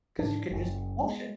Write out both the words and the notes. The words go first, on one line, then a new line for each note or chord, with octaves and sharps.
'Cause you can just wash it.
G#2 D4
F#1 F#2
G#3 B3